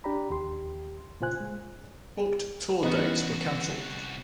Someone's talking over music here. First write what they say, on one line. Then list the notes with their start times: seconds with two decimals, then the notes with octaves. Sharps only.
Booked tour dates were cancelled.
0.04 D4 G4 D5 A#5 B5
0.30 D#2 G4 C6
1.21 A#2 C#3 F4 C5 G#5 F#6
1.40 G#3
2.83 C2 C#3 E3 B3 D#4 F#4 B4